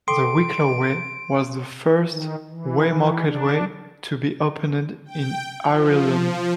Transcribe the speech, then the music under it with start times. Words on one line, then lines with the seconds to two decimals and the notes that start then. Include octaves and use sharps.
The Wicklow Way was the first waymarked way to be opened in Ireland.
0.08 A4 G5 C6 D6 D7
2.10 D#3
2.50 E3
3.25 D4
5.05 G5
5.63 F3